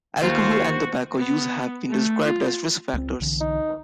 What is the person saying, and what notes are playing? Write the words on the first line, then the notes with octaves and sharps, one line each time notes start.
Alcohol and tobacco use have been described as risk factors.
D#2 F4 F#4 C5
B3
A3
F4
C#2 G3 C4
B1 D3 E3
D#4